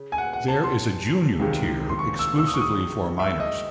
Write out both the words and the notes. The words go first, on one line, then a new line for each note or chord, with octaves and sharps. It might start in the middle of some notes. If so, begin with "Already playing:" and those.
There is a Junior tier exclusively for minors.
Already playing: C#3
G#5
F#5
F#5
A5
C6
C#2 C3 D#3 G#3
C6
C#6
E6
E6
D#6
C#6
D#6
E5
D#5